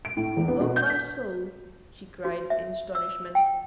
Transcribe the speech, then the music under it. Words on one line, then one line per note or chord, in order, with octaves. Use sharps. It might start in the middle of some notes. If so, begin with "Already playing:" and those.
"Oh, my soul!" she cried in astonishment.
D7
A2
E2
B3
B2
G6
B6
F#4
E5
E6
G5